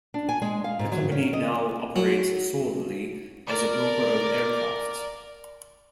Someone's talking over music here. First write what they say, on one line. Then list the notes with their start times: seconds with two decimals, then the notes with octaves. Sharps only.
The company now operates solely as a broker of aircraft.
0.14 D4
0.29 G#5
0.42 G#3
0.64 F5
0.79 G#2
0.92 F#3
1.12 C#4
1.33 D#5
1.96 F#3
3.47 A#4 D5